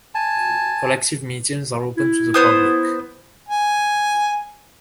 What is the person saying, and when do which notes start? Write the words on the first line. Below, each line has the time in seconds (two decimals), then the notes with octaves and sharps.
Collective meetings are open to the public.
0.15 G#5 A5
1.98 E4
2.34 B3 C5 D#6
3.49 G#5